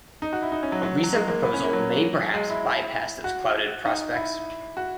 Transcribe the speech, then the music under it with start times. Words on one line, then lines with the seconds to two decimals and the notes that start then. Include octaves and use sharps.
A recent proposal may perhaps by-pass those clouded prospects.
0.22 D#4
0.33 F#4
0.42 E4
0.52 D#4
0.63 C#4
0.72 F#3
0.83 F#3
1.03 F#3
1.13 G#3
1.28 A#3
1.43 B3
1.54 C#4
1.64 A#3
1.73 F#3
2.34 G#3
2.50 E4
3.24 F#4
3.85 D#4
4.15 E4
4.77 F#4